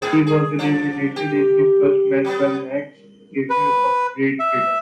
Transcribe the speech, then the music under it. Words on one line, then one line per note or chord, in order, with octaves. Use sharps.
He was eliminated in his first match by Max Cater of Great Britain.
G#2 B3 G#4
G#4
F3 D4
G4
F#3 B3
B4
E5